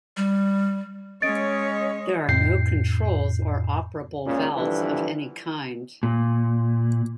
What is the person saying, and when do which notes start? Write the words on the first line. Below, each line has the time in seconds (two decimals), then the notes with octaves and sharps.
There are no controls or operable valves of any kind.
0.17 G3
1.22 G#3 C#4 C#5 D#5 A6 D7
2.29 F2 A2 G6 C7
4.26 C#2 A#2 C#3
4.56 G2 D3 E3 F3
6.03 A#2